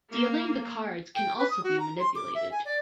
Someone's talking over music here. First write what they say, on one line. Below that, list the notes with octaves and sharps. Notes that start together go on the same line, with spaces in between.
Dealing the cards can also be manipulated.
A#3
G5
B4
D#6
F#4
A#5
C6
D6
E5
G#5
D5